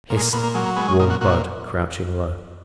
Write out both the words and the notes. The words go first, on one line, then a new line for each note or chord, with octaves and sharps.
"Hist!" warned Bud, crouching low.
A#2
G#3
A#2 B3
A#3
F#3 G#3
A#3
G#3 B3
C#4
A#2 D#4
F#4
A#2 F#4